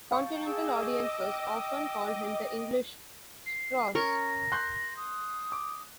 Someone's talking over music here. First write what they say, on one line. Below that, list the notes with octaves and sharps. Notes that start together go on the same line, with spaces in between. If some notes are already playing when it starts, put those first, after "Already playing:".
Continental audiences often called him "The English Strauss".
F5 G5 A5 C#6
G#4 D#5 D6 E6
G5 F6
C7
C#4 A#4 C#6 A#6
C6 F#6 G6
D#6
D6